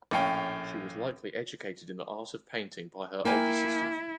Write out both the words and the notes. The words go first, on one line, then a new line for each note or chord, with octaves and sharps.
She was likely educated in the art of painting by her older sisters.
A#1 A2 C#4 F5 G5
A#3 E4 G5 G#5